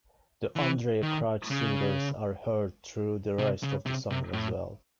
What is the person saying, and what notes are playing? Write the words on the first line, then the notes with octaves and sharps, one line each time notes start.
The Andrae Crouch Singers are heard throughout the rest of the song as well.
E3
D#3
C#3
C3
C#3
C3
C3
A2